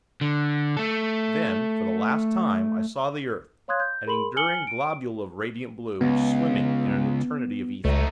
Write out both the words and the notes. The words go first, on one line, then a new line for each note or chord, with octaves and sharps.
Then, for the last time, I saw the earth--an enduring globule of radiant blue, swimming in an eternity of ether.
D3
A3 A4
C#5 F5 C6 D#6 F#6 G#6
G6
G#4 A#4 B5 C6 F#7
G#5 F6 C#7 F#7 G7
D7
C#2 B3
C#2 A3 D#4